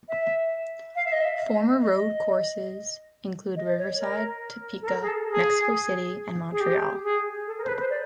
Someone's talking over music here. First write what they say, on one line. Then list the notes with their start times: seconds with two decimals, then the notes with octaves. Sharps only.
Former road courses include Riverside, Topeka, Mexico City, and Montreal.
0.08 E5
0.95 F5
1.04 E5
1.12 D#5
1.20 E5
1.82 D#5
3.56 D#5
3.77 C#5
3.99 A#4
4.81 A4
4.86 A#4
5.01 G#4
5.07 A4
5.30 G#4
6.51 G#4
6.60 G4
7.03 G#4
7.46 A4
7.57 A#4
7.63 C5
7.68 B4
7.79 C5
7.89 D5